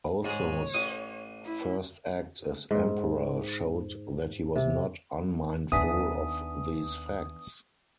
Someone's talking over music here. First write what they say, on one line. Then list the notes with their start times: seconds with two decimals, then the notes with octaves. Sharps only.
Otho's first acts as Emperor showed that he was not unmindful of these facts.
0.25 G#2 G#4 C#5
0.74 A1 D#6
1.45 E4
2.71 G#2
4.56 C3
5.72 D#2 D#3 B3 D4 E5 G#5 D#6 B6